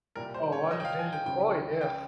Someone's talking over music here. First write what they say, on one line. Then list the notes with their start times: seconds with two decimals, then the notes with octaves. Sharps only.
Oh, washing dishes. Oh, yeah.
0.16 C2 A#2 G3 A#4
0.34 C5
0.52 C#5
0.71 D#5
0.80 G5
0.85 F5
0.99 G#5
1.13 G5
1.26 C#2 C#3 F3 G5
1.81 G5